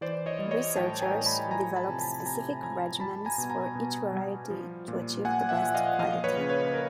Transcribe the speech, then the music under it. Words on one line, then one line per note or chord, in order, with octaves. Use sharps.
Researchers develop specific regimens for each variety to achieve the best quality.
E3 C5 D5
C#5 D#5
G3
C#5 D#5
A2 G5 A5
G#5 A#5
A2
A5 B5
F3 G#5 A#5
A5 B5
C3
A5 B5
C3 G#5 A#5
F3 G#5 A#5
G3 A5 B5
G#5 A#5
B2
G#5 A#5
B2
G3
F3
A#2
A#2 F#5 G#5
E5 F#5
F3
D#5 F5
F3 D#5 F5
B4 C#5
C#3
B4 C#5
A#4